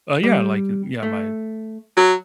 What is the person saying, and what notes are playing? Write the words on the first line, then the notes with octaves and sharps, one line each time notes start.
Uh, yeah, like, yeah, my,
G3
A3
F#3